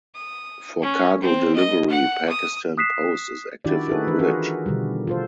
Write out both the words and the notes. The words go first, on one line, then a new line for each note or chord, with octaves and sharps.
For cargo delivery Pakistan Post is active in village.
D#6
C#4
C4
D#5
F#5
D#6
D#6 F#6 B6 C7 E7
D#3 D4 E4 F#4 G4 D5
D#4 E4 F#4 G#4 A4 B4
E3 D4 B4
F4 F#4 G#4 A#4 B4
B2 D3 D#3 G3
F4 A4 C5